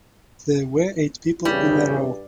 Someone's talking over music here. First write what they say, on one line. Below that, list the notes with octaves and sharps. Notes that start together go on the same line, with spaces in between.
There were eight people in a row.
A#1 E2 G2 C#3 G3